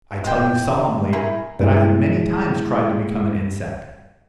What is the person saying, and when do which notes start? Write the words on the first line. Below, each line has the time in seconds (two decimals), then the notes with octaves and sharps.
I tell you solemnly, that I have many times tried to become an insect.
0.24 G#3 C4 G5
1.13 E4 G#4 A#4
1.60 G2 G#3 E4 G#4